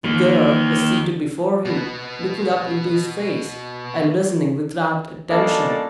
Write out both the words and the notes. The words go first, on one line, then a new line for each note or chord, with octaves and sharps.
The girl was seated before him, looking up into his face, and listening with rapt attention.
D#3 A#3
B2 B3
G3 A#3 C#4 D4 A4 D#5